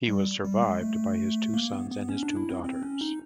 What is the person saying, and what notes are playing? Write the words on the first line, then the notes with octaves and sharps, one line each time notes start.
He was survived by his two sons and his two daughters.
G3
G3
G#3
A3
A#3
B3
B3
C#4
D4
E4
C4
C4
C#4
D#4